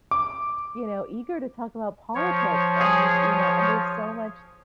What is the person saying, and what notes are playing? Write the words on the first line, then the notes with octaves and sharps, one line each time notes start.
you know, eager to talk about politics and, you know, and there's so much
D6
F3 C#5
G#4